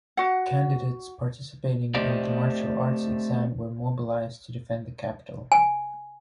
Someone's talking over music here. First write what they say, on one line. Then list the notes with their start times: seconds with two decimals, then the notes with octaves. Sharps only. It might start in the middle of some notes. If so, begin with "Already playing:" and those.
Candidates participating in the martial arts exam were mobilized to defend the capital.
0.17 F#4 F#5
1.95 A3 C4 G4 C5 D5 D#5
5.52 G#5